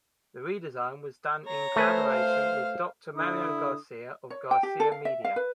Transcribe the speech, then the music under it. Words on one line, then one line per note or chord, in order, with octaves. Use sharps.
The redesign was done in collaboration with Doctor Mario Garcia of Garcia Media.
C#5 A#5
A3 B4 C5 G#5
F5
D3 E4 D#6
C#5
G5
G4
A4
F5
E5
F5
B4